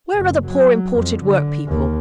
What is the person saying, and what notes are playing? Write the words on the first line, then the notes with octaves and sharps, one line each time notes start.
'Where are the poor imported work-people?
F#1
F#3
F2
D3
D#2